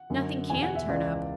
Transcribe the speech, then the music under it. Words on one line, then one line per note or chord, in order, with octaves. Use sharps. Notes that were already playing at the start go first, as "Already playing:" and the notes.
Nothing can turn up.
Already playing: F#5
F#2 D3
E2 B2 G#5
F#5
E5
C#2 C#3 E3 D5